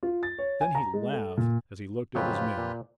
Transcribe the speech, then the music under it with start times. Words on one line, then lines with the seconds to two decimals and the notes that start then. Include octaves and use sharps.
Then he laughed as he looked at his men.
0.03 F4
0.23 A6
0.38 C#5
0.61 G#5
0.75 A#5
0.94 G#3
1.12 A4
1.37 A#2
2.15 F2 C#3 F#3 F4 G4 B4
2.58 A#2